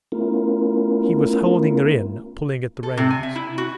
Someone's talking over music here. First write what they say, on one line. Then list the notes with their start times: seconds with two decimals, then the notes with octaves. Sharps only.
He was holding her in, pulling at the reins.
0.12 A3 B3 C#4 E4 F4 A#4
2.83 A4
2.97 C3
3.10 G#5
3.23 E5
3.36 E4
3.58 F#4